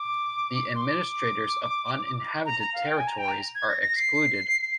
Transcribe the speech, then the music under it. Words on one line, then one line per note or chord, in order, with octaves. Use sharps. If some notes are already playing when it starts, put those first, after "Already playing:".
The administrators of uninhabited territories are excluded.
Already playing: D6
C6
D6
A#5
A#5
F5
G5
G#5
A#5
G5
A#5
G#6
A#6
A#6
C7